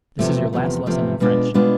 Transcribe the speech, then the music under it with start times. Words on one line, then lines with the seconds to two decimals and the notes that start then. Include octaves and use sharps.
This is your last lesson in French.
0.19 E2 C3 F3 A3
0.53 E2 C3 F3 A3
0.86 E2 C3 F3 A3
1.20 B2 G#3 B3 D4 F4
1.54 B2 G#3 B3 D4 F4